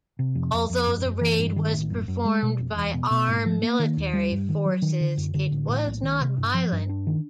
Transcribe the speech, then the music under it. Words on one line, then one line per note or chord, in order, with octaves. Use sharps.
Although the raid was performed by armed military forces it was not violent.
C3
F2
F2
F2
F#2
F#2
E3
G2
D#3
A1
F#2
F#2
G#3
B2
F1
E2
B2
B2
G#2
F3
A#3
D#3
D#2
G3
G2
D#3
F#3
D#3
D3
F#2
D3
A1
A2
B1
D#3
C3
G2
F3
G2
D4
D#3